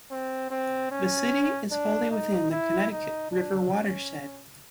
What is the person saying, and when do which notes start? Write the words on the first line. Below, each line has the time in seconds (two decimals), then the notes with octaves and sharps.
The city is fully within the Connecticut River watershed.
0.11 C4
0.51 C4
0.91 C#4
1.71 D4
2.11 D#4
2.51 E4
2.91 D#4
3.31 D4
3.71 C#4